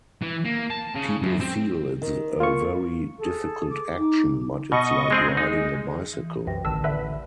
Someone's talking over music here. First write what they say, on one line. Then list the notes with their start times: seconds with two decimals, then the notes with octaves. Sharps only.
People feel it's a very difficult action but its like riding a bicycle.
0.22 E3
0.45 A#3
0.70 A5
0.95 C#3
1.22 F#2
1.41 C4
2.02 D#3
2.40 A#3 F4 C#6
3.19 G#4 A4
3.69 D6
3.99 D#4
4.72 B2 D#5 C#6
5.11 G#3 C4 G#4
5.37 G#3 D#4
6.13 E3
6.47 C2 F#2 C3 B4 G5 A#6
6.65 A1 D2 D3 D#3 A5 E6
6.84 D3 B4 D5 E5 B5